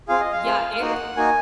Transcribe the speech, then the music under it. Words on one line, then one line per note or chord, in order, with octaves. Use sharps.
Yeah, it
C4 F4 G#4 F5
D#5
F5
C4 F4 G#4
F5
A#3 D#4 F#4 F#5
A#3 D#4 F#4 G#5